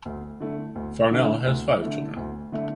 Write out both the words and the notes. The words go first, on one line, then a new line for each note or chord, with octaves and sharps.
Farnell has five children.
D2
D3 A3 E4
D2
D3 A3 E4
D2
D3 A3 E4
D2
D3 A3 E4